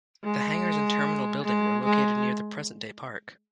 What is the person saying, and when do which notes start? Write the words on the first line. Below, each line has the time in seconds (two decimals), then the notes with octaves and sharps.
The hangars and terminal building were located near the present day park.
0.24 G#3
1.44 G#3
1.85 G#3